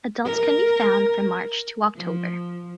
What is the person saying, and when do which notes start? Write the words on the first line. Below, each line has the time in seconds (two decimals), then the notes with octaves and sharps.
Adults can be found from March to October.
0.24 A#4
1.96 F3